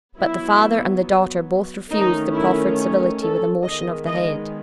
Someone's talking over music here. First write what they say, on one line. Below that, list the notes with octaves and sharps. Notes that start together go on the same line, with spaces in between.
But the father and the daughter both refused the proffered civility with a motion of the head.
F#3 B3 E4
D#3 A3 C#4 D#4
E4
A4
D#3 G#3 B3 D#5
D#5